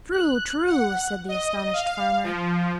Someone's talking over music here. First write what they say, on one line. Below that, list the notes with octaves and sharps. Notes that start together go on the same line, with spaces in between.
"True, true!" said the astonished farmer.
F#6
F#5
D#5
F5
F3